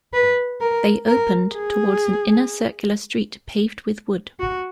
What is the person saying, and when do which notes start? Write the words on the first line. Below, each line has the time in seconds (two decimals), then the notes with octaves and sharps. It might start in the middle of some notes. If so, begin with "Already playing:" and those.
They opened towards an inner circular street paved with wood.
0.13 B4
0.61 A#4
1.08 A#4
1.55 G#4
4.40 F#4